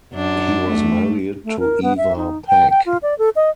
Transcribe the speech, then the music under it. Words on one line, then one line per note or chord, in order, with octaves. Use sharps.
He was married to Ewa Pac.
F#2 D4
A3
A3
A#4
B3
E5
D#4
G5
G5
F4
D5
A4
D#5